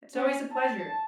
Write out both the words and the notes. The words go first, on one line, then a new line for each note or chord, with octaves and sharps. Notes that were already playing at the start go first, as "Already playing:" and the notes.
It's always a pleasure.
C#4
A5